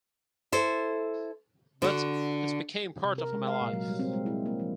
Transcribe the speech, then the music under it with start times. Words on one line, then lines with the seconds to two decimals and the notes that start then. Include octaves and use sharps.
But it became part of my life.
0.52 E4 A4 C5
1.82 D3 F#4
3.04 C3
3.18 A#4
3.33 G#3
3.47 F5
3.61 A#2
3.73 F#3
3.88 G3
3.99 C4
4.13 G#3
4.26 E4
4.46 A#3
4.60 F3